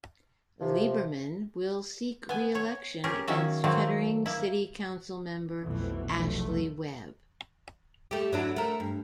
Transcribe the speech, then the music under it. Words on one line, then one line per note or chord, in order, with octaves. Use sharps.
Lieberman will seek re-election against Kettering City Council member Ashley Webb.
C3 F3
B3 G#5
C#5
C#4 G4 G#4 A#4
D#3 F#3 A#3 C#4 F#4 E5
D#3 F#3 A3 A#3 C4
A#3 E4
B1 F2 B2 E3 A3 B3
F1 B1 E2 F3 A3
A3 G4
F#3 D4 E4
A3 A#4
G2